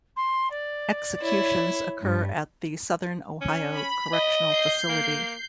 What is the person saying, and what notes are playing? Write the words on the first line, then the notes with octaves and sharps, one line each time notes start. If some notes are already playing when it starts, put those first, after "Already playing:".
Executions occur at the Southern Ohio Correctional Facility.
C6
D5
E4 C#5
G2
C#4
B5
D#5
G6 C7
A#3